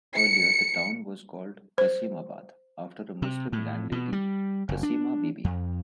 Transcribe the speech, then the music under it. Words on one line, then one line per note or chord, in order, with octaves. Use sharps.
Earlier the town was called Qasimabad, after a Muslim landlady Qaseema Bibi.
C#7
C5
C3
A2
B2
G3
F#1
D4
F2